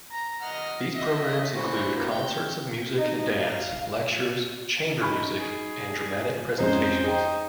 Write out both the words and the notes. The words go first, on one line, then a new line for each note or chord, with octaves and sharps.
These programs include concerts of music and dance, lectures, chamber music, and dramatic presentations.
A#5
D#5 F#5 F6
D#5 E5
E3 F#4 C5
A#3 B3
G5
D#4
F5
D#4 B5 C#6
G#4
F2 G#3 C#4 D#4 C5
D#4 G#4 G5